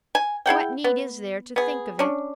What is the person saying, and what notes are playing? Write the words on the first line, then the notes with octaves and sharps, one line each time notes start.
What need is there to think of it?
G#5
E4 G#4 F#5 G5
B3
B3 G#4
C#4 D4